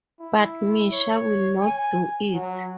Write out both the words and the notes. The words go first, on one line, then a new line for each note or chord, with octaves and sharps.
But Misha will not do it.
E4
C#5
G#5
F#3